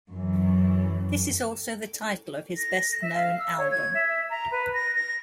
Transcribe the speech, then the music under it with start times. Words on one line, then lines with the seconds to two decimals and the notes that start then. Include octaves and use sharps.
This is also the title of his best-known album.
0.10 F#2 E3
2.57 A#6
3.02 E5
3.13 F5
3.39 E6
3.58 C#5
3.71 G#6
3.94 E5
4.30 A#5
4.51 B4
4.74 A#6
4.95 A#6